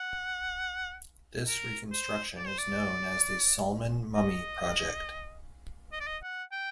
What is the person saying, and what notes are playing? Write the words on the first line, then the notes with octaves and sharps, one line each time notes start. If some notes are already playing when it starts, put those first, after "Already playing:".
This reconstruction is known as the Sulman Mummy project.
Already playing: F#5
A#4
C5
D5
C5
D5
D#5
D#5
D5
D#5
F#5
G5